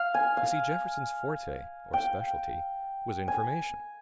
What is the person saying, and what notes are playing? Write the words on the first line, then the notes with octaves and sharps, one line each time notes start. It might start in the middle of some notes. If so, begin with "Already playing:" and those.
You see, Jefferson's forte, or specialty, was information.
Already playing: F5
G#5
F5
G5
G#5